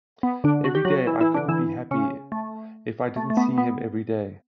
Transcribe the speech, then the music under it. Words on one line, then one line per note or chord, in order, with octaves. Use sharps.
Every day. I couldn't be happy if I didn't see him every day.
B3
D3 D4
F#4
G4
F#3 F#4
E3 E4
E3 E4
D3 D4
E3 E4
C#3 C#4
A3
A3
A3
B3
B3